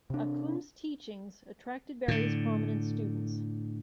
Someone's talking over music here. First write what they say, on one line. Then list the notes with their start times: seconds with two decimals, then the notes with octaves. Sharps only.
Accum's teachings attracted various prominent students.
0.10 C3 D4
2.08 A2 D3